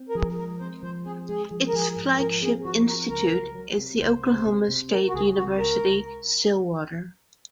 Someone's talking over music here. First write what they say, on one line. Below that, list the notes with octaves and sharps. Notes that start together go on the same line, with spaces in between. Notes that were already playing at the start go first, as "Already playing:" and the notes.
Its flagship institute is the Oklahoma State University-Stillwater.
Already playing: C4
A#4
F3 G#4
G#3 A#4
C4 C5
F3 C5
C4 G#4
G#3 G#4
F3
A#4
F3 G#4
G#2
F3 A#4
C4 G#4
F3 F#4
C4 A#4
C#2 A#4
F#3
F#3
C3
C#2 C5
C3 C5
C3
C3
F#3 A#4
F#4
C#2 G#4
C3 F#4
C#2 A#4